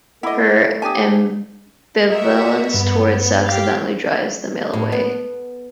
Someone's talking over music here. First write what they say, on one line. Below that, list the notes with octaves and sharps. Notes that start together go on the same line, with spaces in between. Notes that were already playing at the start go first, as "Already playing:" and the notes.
Her ambivalence towards sex eventually drives the male away.
A3 E4 D#5 F#5 B5 D6
D4 G4 G#5 A5 D#6
F#4 G#4 A#4 D#5 E5
G2 B3
G4 F5
A2
B3